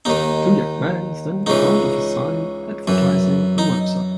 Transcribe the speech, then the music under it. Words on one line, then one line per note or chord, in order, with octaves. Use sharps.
Two young men stand in front of a sign advertising a website.
D#2 D#3 D#4
C#2 C#3 E3 D#4
F#2 E3
D#4